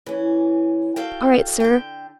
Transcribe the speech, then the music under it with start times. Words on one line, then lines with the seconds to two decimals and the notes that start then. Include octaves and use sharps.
'All right, Sir.
0.06 E3 C#4
0.96 F#4 A4 F5 G5
1.60 D3 G5